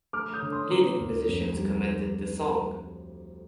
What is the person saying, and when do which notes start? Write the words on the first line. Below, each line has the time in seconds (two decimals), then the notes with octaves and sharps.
Leading musicians commended the song.
0.13 A3 D6 F6
0.33 D#6 G6
0.42 D3
0.52 C6 D#6
0.71 D3 A#5 D6
1.00 D2
1.29 F2
1.56 G3